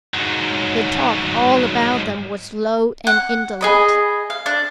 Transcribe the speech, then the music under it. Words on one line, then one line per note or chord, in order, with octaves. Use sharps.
The talk all about them was low, and indolent.
G#2 F#3
F#5
G#4 D#5 B5
F5
D4